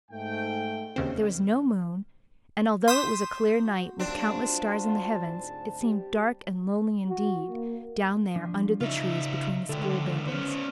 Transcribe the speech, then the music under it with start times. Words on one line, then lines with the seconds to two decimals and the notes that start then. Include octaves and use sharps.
There was no moon, and although it was a clear night, with countless stars in the heavens, it seemed dark and lonely indeed down there under the trees between the school buildings.
0.10 G#2 A3 G5
0.96 D#2 C#3 C4
2.88 C6 D#6 G6 B6 E7
3.64 F#4
3.99 F#3 G3 A3 C4 D4 F4 A5
4.48 F#4
5.19 D2 G#2
5.79 G3 G4
7.09 F#4
7.50 A#3
8.36 F3 D4
8.81 C#3 D#4 F4 E5
9.69 C#2 D3 A4 G5
10.28 B3 C#4 C5